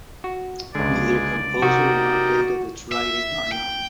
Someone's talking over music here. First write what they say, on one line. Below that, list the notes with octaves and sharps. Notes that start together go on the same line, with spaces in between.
Neither composer nor date of its writing are known.
F#4
C#2 D3 G#3 D5
C3 D#4 F#4 G4 A#4
E5
G5